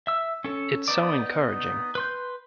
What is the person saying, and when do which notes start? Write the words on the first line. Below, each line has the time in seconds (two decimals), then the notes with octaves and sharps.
It’s so encouraging.
0.07 E5 E6
0.44 C#4 A4
0.88 B3 D#4 B4 D5 D6
1.95 B4 C6 G6